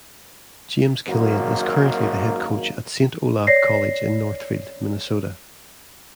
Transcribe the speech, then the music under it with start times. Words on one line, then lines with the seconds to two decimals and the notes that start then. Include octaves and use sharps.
James Kilian is currently the head coach at Saint Olaf College in Northfield, Minnesota.
1.07 G#1 F#2 A#3
3.47 C#5 D5 A#6 C7